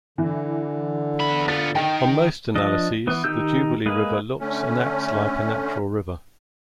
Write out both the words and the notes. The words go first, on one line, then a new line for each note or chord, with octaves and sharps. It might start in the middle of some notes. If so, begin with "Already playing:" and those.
On most analyses the Jubilee River looks and acts like a natural river.
D3 E3
E2 B5
B3 F4 A6
D#3 G5
F3 D4 D#5
E3 B3
D#3 D#4 G4 E6 G6
G#3 A#3 G#4 B4
D3 A3 C#4